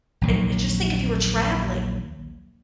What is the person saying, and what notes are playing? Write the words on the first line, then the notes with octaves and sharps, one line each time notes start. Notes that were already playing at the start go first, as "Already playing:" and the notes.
and, uh, just think if you were traveling.
A#1 D#2 F#3